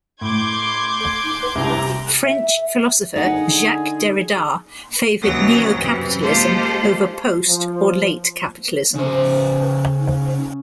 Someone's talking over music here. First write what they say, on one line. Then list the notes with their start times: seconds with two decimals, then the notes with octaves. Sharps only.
French philosopher Jacques Derrida favoured "neo-capitalism" over "post-" or "late-capitalism".
0.21 A2 C6 D6 G6 G#6
1.55 C2 C3 G5 A#5
2.25 E5
3.16 D3 D#4 G#4 F#5
5.21 D#2 C#3 E3 F#3 D#6 A#6
5.75 F#2 C3 E3
6.21 G#3 A#3 F4 G4 A4 C5
7.48 F3
8.96 C#3 C5